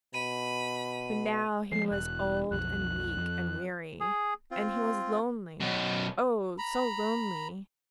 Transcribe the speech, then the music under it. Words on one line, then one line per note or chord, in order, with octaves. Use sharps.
But now he was old and weak and weary, and he was lonely, oh! so lonely!
B2 B5 D#7
F3 G#3 C7
E1 F#6
B1 F2 F#6
F2
G#4
C4 F4
F#2 B2
A#5 B5